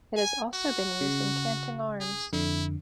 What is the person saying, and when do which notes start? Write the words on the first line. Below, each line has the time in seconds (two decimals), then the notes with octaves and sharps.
It has also been used in canting arms.
0.16 G#5
0.54 F#4
1.01 C#3
2.00 G#4
2.33 F2 D3 E4